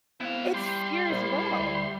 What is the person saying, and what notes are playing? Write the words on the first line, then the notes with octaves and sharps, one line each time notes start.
It's fear as well.
B3 C4 E4 F5
G3 G4 C6
A#1 E4
D2